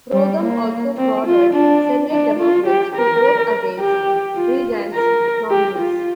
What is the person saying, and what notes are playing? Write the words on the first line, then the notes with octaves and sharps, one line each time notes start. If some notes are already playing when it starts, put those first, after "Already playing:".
Rodham also prodded Senate Democrats to vote against Reagan's nominees.
G3
A#3
C4
F4
D4
D4
F4
G4
A#4
G4
F4
A#4
G4
F4